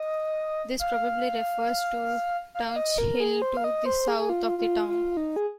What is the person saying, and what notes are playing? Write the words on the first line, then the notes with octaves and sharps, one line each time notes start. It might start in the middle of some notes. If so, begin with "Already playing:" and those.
This probably refers to Tuach Hill to the south of the town.
Already playing: D#5
F5
F5
F5
D#5
A#4
G#4
C5
F5
D#5
C5
G#4
G#4
F4
F4
F4
D#4
G#4